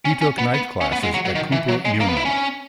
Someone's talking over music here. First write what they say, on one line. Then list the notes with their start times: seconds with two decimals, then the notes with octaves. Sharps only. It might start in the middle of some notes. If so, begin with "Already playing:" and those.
He took night classes at Cooper Union.
0.05 C#4
0.21 C#4
0.39 B3
0.54 B3
0.81 C#4
0.92 B3
1.03 G#3
1.14 F#3
1.25 F#3
1.35 D#3
1.52 E3
1.68 F#3
1.85 G#3
2.01 A#3
2.08 B3
2.17 E4
2.25 C#4